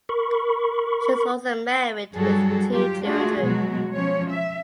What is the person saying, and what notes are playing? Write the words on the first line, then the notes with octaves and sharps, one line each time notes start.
She was also married with two children.
A#4 B5 C#6
G2 F#3 G3 F#4 G#4 A4
F#3 F4 G4
A3 D4 F4 F#4 G#4
B2 F3 F#3 G#3 F#4
F3 C#4 C#5
E5